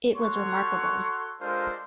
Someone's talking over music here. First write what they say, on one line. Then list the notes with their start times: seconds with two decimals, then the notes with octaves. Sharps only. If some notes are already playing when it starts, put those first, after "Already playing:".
It was remarkable.
0.16 F#4 A4 C#5 F#5 C6 C#6
1.41 G#3 D4 F4 A4 A#4 C5